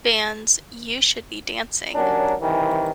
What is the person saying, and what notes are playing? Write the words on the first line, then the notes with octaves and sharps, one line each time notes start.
Band's "You Should Be Dancing".
D#2 F#3 C#4 D4 A#4
C2 D#3 E3